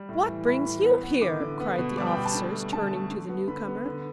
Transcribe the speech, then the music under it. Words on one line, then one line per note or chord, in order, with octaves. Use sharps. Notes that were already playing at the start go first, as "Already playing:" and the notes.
"What brings you here?" cried the officers turning to the newcomer.
Already playing: G3
A2
E3
A2 B5
E3
B3
B3
D3 D6
D3
B3
B2
G3 D6
G5
B2 B5
A5
D3
A3
D3 A5
A3
D3
B3
D3 B5
B3
D3